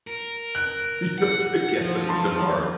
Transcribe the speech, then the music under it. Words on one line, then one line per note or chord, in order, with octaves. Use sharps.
you don't get a cavity tomorrow.
A#4
F#6 D7
F#5
F3
A5 C6